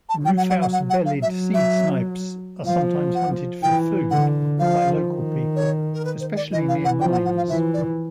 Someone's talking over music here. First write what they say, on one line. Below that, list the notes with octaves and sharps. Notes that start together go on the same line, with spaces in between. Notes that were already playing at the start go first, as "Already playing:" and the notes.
Rufous-bellied seedsnipes are sometimes hunted for food by local people, especially near mines.
A5
F#3 G5
F#5
F#5
F#5
F#5
F#5
F5
F#3 E5
E5
F3 F5
F#5
E3 G5
D3 F#5
F3 F5
D#3
C#5
A#4
B4
C5
D5
E3 D#5
F5
F#5
F3 G5
F#5
F#5
F5
E3 E5
D5